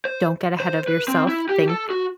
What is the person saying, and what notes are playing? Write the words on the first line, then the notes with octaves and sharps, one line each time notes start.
don't get ahead of yourself. Think
C5
C5
B4
C4
E4
G4
A4
F#4